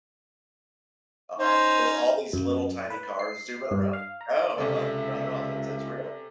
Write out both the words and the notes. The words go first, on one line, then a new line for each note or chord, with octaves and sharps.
um, there's all these little tiny cars zooming around No, uh-uh, not at all, it's it's real
C#4 D#4 C5
F#2
B4
C7
G2
F5
A#5
C#2 C3 C#4 A4 E5